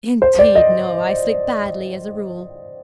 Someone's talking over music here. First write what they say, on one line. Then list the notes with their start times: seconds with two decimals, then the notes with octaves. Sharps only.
"Indeed no, I sleep badly, as a rule."
0.22 C5
0.39 D5
0.55 D#5